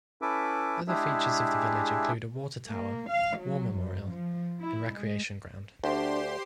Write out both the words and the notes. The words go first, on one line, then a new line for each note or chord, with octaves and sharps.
Other features of the village include a water tower, war memorial and recreation ground.
C#4 E4 A4 B4 E5 D6
G#3 D4 E4 G4 G#4 E5
A#3
F5
F#3
F#2
F3
E4
G#3
D2 D4 G4 C5 C6